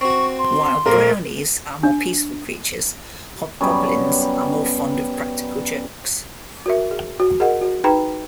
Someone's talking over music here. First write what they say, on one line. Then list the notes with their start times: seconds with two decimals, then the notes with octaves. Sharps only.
While brownies are more peaceful creatures, hobgoblins are more fond of practical jokes.
0.01 C4 F#4 C#6
0.39 C6
0.86 A#1 F2 A#3 A#4
1.83 D4
3.61 F#2 G3 B3
6.66 F#4 A#4 E5
6.91 G#4
7.20 F#4
7.40 G#4 A#4 D#5 F#5
7.61 F#4
7.84 D#4 G#4 B4 G5 A#5 B5